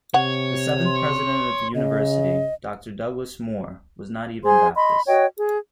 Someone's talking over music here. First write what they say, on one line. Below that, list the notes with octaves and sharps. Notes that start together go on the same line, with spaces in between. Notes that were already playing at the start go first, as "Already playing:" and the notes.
The seventh President of the University, Doctor Douglas Moore, was not even Baptist.
C3 C#5 F#5
C6
C#3 D#5
G#4 C5 G#5 C6
D#5 B5 C6
F#4 C#5 D#5 G5
G#4